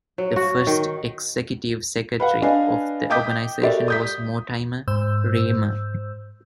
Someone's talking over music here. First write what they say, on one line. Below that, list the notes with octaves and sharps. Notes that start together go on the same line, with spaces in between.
The first Executive Secretary of the organization was Mortimer Riemer.
F#3
F#4
D#3
B4 F5 F#5
D4 B4 D#5 F5 G#5
D#5 G5 D6 D#6 G6 B6
F#4 G4 A4 A#4 D5 E5
D#6 G6 B6
G#2 C5 E6 G6